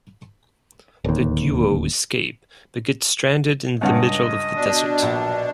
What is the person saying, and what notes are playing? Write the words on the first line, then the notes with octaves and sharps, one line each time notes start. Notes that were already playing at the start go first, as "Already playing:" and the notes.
The duo escape but get stranded in the middle of the desert.
D1 D#2
C#2 G2 D#5 F#5
B2 D4
A#1